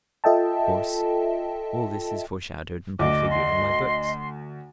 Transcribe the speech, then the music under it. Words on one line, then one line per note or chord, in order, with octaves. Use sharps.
Of course all this is foreshadowed and prefigured in my books.
F4 A4 D#5 E5 G5 A5
D2 D#5 D6
C6